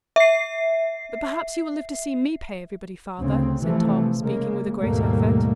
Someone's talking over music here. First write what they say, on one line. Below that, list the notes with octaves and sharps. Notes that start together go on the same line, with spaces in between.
"But perhaps you will live to see me pay everybody, father," said Tom, speaking with a great effort.
E5 C7
D2 C#3 C4
C3 E3 F3 A3
C#3 G#3 A#3
D#2 G#2 B2 G3 A3 A#3